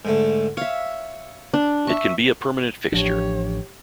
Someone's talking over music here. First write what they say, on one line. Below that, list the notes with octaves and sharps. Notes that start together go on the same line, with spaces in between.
It can be a permanent fixture.
G#2 D3 A3
C#5 E5 F5
D4
E5 C#6
A1 F3 D4 G4 C#5